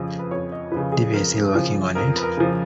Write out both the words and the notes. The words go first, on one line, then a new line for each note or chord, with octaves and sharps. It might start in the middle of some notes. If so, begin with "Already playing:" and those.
Divya is still working on it.
Already playing: F2 C#3 F3
B4
F2 C#5
D#5
C#3 F3 B4
G#4
F2 A#4
C#3 F3
F2 A#4
B4
A#4
C#3 F3